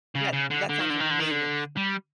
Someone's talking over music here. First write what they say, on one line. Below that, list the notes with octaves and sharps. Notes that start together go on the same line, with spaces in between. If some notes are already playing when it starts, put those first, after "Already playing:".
That that sounds amazing.
C#3
C#3
D3
D3
D#3
D3
D#3
D3
D#3
D3
G3